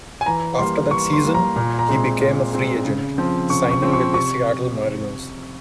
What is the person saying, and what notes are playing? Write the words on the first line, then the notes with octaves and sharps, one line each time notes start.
After that season, he became a free agent, signing with the Seattle Mariners.
G#5
E3 A#5
G3 A#3 C6
E3 C#6
C6
G3 A#3
A#5
A#2 A#5
A#5
G#3 C4 C6
A#2
G#3 C4
C#3
F3 C4
C#3 C#6
C#6
F3 C4
C#6
C3 C#6